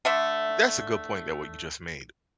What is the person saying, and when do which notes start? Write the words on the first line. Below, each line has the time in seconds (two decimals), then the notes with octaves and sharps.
That's a good point that what you just made,
0.05 D3 A3 E5